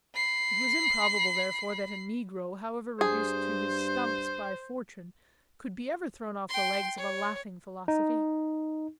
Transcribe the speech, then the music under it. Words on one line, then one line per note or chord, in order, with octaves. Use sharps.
It was improbable, therefore, that a negro, however reduced to his stumps by fortune, could be ever thrown off the legs of a laughing philosophy.
B5 C7
G2 G#4 C5
G5 C6
C#5
D#4